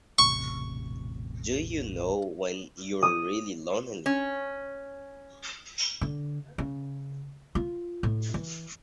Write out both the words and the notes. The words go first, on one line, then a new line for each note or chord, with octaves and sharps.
Do you know when you're really lonely?
E1 A1 C3 C#6
D#6
C#4
D3
C#3
F4
A2
E3